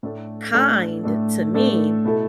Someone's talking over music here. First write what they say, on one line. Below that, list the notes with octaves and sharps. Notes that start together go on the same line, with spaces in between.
kind to me,
A2 A3 D4 A4
A2 A3 D4 A4
A2 A3 D4 A4
A2 A3 D4 A4
B2 A3 E4 A4